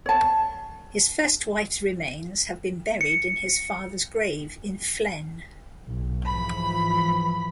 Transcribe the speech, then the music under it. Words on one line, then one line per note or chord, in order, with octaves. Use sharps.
His first wife's remains have been buried in his father's grave in Flen.
C#5 A5
C#7
B1
G#2 E3 F3 B5